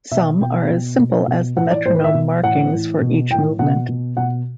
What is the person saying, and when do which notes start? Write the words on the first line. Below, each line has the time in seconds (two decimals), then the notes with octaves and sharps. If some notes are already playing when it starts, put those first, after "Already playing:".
Some are as simple as the metronome markings for each movement.
0.11 B2 E5
0.41 B2 G5
0.70 B2
0.98 B2
1.27 B2
1.56 A2 F#5
1.59 E3
1.71 D5
1.86 A2 E3 C5
1.95 B4
2.04 E5
2.14 B2
2.43 A2 E3 F#5
2.72 A2 E3
3.01 B2
3.31 A2 E3 G5
3.59 B2 F#5
3.89 B2
4.17 B2 F#5